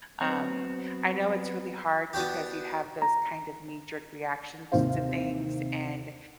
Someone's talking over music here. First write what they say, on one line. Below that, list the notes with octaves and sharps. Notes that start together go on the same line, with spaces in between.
um, I know it's really hard because you have those kind of knee-jerk reactions to things, and,
F#3 B3 C4 B4 C#5
B3 D4 F#4 G4
A#5
D#2 C3 D#3 C5 F5